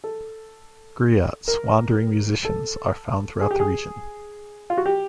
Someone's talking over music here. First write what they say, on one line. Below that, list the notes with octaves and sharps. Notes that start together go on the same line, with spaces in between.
Griots, wandering musicians, are found throughout the region.
A4
A#4
A4
G#4
G4
G#4
F4
F#4
G4